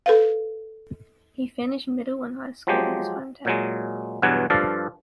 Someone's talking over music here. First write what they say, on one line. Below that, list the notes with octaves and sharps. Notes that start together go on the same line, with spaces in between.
He finished middle and high school in his hometown.
A4 B4 F5
F3 F#3 G#3 G4
A#2 F#3 G#3
E2 G2 B2 F#3 F#5 G#5
G2 F3 A4 D5 F5